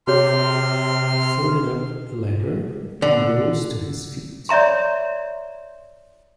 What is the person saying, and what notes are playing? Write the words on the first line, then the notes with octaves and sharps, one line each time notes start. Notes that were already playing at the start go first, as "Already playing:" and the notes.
He folded up the letter, and rose to his feet.
C3 F#4 G#4 C#5 C6 F6
D3
C#5 D5 E5 A#5 C6